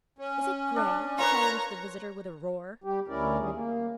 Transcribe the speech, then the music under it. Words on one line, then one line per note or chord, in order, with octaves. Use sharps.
"Is it grey!" challenged the visitor, with a roar.
C#4
D4
F4 A#4 B4 C#5 A#5
G3 G4
D2 C#4 E4 A#4 D5
D#3 G3 C#4 G#4
A#3